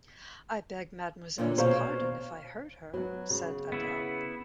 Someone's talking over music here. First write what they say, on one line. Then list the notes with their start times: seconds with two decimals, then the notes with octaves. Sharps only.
"I beg mademoiselle's pardon if I hurt her," said Adele.
1.38 A#2 D3 C#4
1.58 B2 C#4 C5 C#5 F5
2.94 F#3 B3
3.30 C#3
3.72 B3 E4